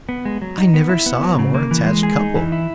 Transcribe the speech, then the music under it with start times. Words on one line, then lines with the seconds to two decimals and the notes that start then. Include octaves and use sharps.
I never saw a more attached couple.
0.09 B3
0.25 G#3
0.42 F#3
0.58 D#4
0.74 B3
0.89 E4
1.06 B3
1.23 F#3
1.39 C#3
1.54 A#3
1.71 E3
1.86 G#3
2.03 G#4
2.19 D#4
2.35 E3
2.52 E4